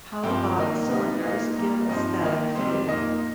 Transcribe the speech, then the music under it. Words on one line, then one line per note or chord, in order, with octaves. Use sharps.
Halbach cylinders give a static field.
G2 F3 C4 G5
D#3 A#3 D#4
C3 G3 D#4
A#2 A#3 D#4 F5
A#2 G3 A#3 A#5
G2 F3 C4 D#4 D#5
D#3 A#3 D#4
F2 C3 G3 C5
A#2 A#3 D#4 D#5